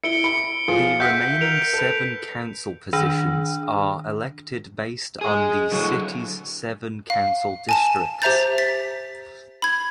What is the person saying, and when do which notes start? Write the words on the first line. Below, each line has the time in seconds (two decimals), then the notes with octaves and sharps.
The remaining seven council positions are elected based on the city's seven council districts.
0.04 E4 C#7 D7 G7
0.24 B5 C#7
0.68 F3 F4 G#4
1.00 E5 F#5 G6 B6
1.41 A#4 D7 F7
1.73 A4 B4
2.93 D#3 D4
5.21 G#4 D#5
5.72 D3 F#3
7.10 F5
7.69 G#5 A5 E7
8.22 G4 C5 E5 A#5 G6 A6
8.58 A6 B6
9.62 B5 G#6